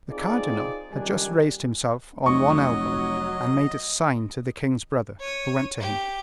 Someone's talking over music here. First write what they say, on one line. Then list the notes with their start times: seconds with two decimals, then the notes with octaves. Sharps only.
The cardinal had just raised himself on one elbow, and made a sign to the king's brother, who went to him.
0.11 C4 D#4 F4 G#4 D5
0.91 C#2 F#2 D#3 G3 D4 G#5
2.26 F1 F#3 D#5 C#6
5.20 C#5 D#7
5.81 G4